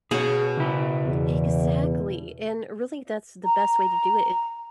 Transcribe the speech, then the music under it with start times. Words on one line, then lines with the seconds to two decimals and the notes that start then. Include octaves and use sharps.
Exactly, and really that's the best way to do it
0.11 B2 G#4 C#5 F#5
0.57 C#3 E4
1.06 E2
3.44 A#5